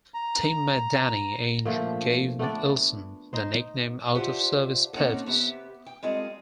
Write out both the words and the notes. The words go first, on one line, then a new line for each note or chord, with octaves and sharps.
Teammate Danny Ainge gave Ellison the nickname Out of Service Pervis.
A#5
A#2 D3 F3 A3
A3 B3 D4 D5
D#4 C5
D4 F4 G4 C5 E5 F#5
A#3 C4 C#4 D#4 F#4 A4
C3 B3 G4 E5
G5
G3 G#3 C4 F4 A4 D#5